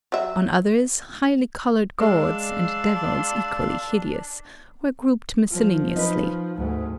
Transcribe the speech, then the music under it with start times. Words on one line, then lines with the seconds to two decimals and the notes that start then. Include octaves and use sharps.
On others highly-coloured gods, and devils equally hideous, were grouped miscellaneously.
0.12 F#3 E5
1.99 G#3 D4 D5 F5 C6 E6
5.51 F3
5.96 D#4 B4
6.56 D2 G#2